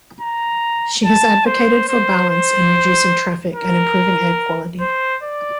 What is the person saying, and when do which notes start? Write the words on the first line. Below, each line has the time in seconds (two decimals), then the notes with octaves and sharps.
She has advocated for balance in reducing traffic and improving air quality.
0.20 A#5
1.04 A5
1.45 C5
1.88 C5
2.30 C5
3.55 A#4
4.80 C5
5.23 D5